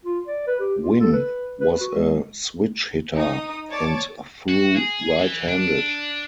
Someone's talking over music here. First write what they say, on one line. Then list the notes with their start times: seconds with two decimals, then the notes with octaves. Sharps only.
Winn was a switch hitter, and threw right-handed.
0.05 F4
0.27 D5
0.47 B4
0.60 G4
0.81 F4
1.00 A4
1.13 B4
1.61 B4
1.80 F#4
1.94 G#3
3.14 D#4 D#6
3.69 C#5 D5 A5 D6 A6
4.49 F#4
4.76 G#4
5.19 E3
5.48 D4